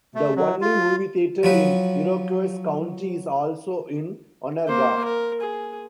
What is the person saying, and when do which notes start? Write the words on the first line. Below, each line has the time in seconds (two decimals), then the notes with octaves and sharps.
The only movie theater in Iroquois County is also in Onarga.
0.15 A3
0.36 F#3
0.61 F4
1.43 F3 F#3 B4
4.68 A#3 C5
5.04 A#4
5.41 G#4